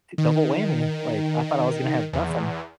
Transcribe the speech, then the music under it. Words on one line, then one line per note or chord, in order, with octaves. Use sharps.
double whammy," like, I thought I was gonna have nothing.
D#3
E2